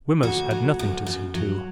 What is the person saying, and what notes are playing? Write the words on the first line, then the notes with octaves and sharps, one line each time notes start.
Wemyss had nothing to see to.
D2 F#4
F#3
D2
F#2
F#3